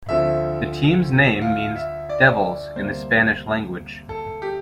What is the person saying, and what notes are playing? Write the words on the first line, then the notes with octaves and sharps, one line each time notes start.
The team's name means "devils" in the Spanish language.
D2 D3 F3 C4 E5
F5
E5
D5
D2 C3 G3 A#3 C5
A4
G4